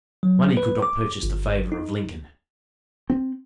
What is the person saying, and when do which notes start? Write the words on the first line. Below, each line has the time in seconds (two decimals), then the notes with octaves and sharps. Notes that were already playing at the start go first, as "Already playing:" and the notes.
Money could not purchase the favor of Lincoln.
0.23 F#3
0.57 B4
0.82 D6
1.23 G1
1.72 D#4
3.10 C4